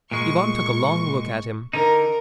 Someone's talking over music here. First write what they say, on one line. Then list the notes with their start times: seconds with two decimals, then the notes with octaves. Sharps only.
Ivan took a long look at him.
0.11 A#2 G#3 C#6
1.73 D3 D#4 A#4